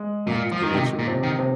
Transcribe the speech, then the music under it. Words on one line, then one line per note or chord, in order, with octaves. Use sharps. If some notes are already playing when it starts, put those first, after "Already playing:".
Mhm. Eventually.
Already playing: G#3
A#2
F3
D#3
C3 D#3
A#2
C3
D#3
C3